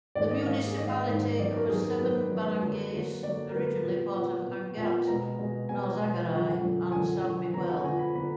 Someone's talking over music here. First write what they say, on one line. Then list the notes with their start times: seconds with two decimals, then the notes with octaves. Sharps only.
The municipality covers seven barangays, originally part of Angat, Norzagaray, and San Miguel.
0.15 G#2 D#3 A#3 D5
0.31 D#5
0.46 G#2 D#3 A#3 F5
0.67 G#4
0.77 G#2 D#3 A#3 D#5
0.88 F5
1.08 G#2 D#3 A#3
1.39 F#2 D#3 F#3 B3 D5
1.54 A#4
1.69 F#2 D#3 F#3 B3 G#4
1.85 A#4
2.00 F#2 D#3 F#3 B3 B4
2.31 F#2 D#3 F#3 B3
2.62 D3 F#3 A#3
2.92 D3 F#3 A#3
3.23 D3 F#3 A#3 D5
3.49 A#4
3.54 D3 F#3 A#3 B4
3.85 A#2 F3 B3
4.15 A#2 F3 B3 F#5
4.46 A#2 F3 B3
4.77 A#2 F3 B3
5.08 B2 G#3 B3 A#5
5.39 B2 G#3 B3
5.69 B2 G#3 B3 G#5
6.00 B2 G#3 B3
6.31 F#2 D3 F3 F#5
6.61 F#2 D3 F3
6.92 F#2 D3 F3 G#5
7.23 F#2 D3 F3
7.54 D3 F3 B3 A#5
7.70 F#5
7.84 D3 F3 B3 G#5
7.99 B5
8.15 D3 F3 B3 B5